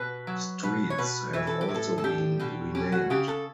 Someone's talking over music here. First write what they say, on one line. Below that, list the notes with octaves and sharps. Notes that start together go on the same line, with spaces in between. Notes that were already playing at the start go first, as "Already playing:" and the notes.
Streets have also been renamed.
Already playing: B2 B4
F#3
B2 B4
C#5
B2 B4
E3 B4
A4
G4
A2
A4
A4
D4 G4
B2 G4
C#4 G4
F#4
C#3 G4
A4